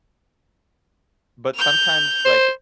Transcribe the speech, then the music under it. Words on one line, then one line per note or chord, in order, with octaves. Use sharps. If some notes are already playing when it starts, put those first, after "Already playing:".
but sometimes, like,
G6 F7
C5